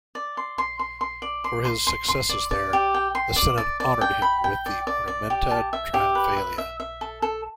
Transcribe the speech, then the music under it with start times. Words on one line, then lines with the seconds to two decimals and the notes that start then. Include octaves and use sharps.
For his successes there, the senate honoured him with the ornamenta triumphalia.
0.15 D5
0.37 C6
0.58 C6
0.79 C6
1.01 C6
1.22 D5
1.44 C6
1.65 C6
1.87 C6
2.08 C6
2.29 D5
2.51 D5
2.73 G4
2.94 G5
3.15 C6
3.36 D5
3.58 D5
3.80 D5
4.01 G5
4.22 B5
4.44 G5
4.66 D5
4.87 D5
5.08 D5
5.30 G4
5.51 A5
5.73 E5
5.94 G4
6.15 B4
6.37 E5
6.58 E5
6.80 E5
7.01 A4
7.22 A4